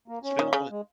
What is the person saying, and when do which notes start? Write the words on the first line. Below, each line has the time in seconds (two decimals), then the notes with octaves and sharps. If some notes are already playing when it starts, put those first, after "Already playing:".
…spent all of it
0.08 A#3
0.23 C#4
0.39 D#3
0.53 C#3
0.70 G#3